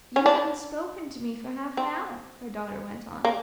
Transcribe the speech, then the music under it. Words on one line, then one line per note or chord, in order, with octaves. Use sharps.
"You haven't spoken to me for half an hour," her daughter went on.
C#4
D4
C4
A#3